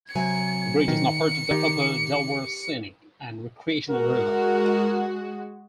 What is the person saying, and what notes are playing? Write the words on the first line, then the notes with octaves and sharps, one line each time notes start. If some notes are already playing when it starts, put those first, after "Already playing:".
The bridge is now part of the Upper Delaware Scenic and Recreational River.
C3 F#3 G#5 C#7
D#3
D#3 G4
G#3 F#4 A#4